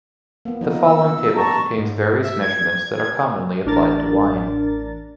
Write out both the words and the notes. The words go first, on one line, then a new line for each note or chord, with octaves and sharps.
The following table contains various measurements that are commonly applied to wine.
A#3 B3
F3 D#4 A#4
E6
A5 A#5 C#6
G#2
E5
G#6
A1 D4 A#4 A6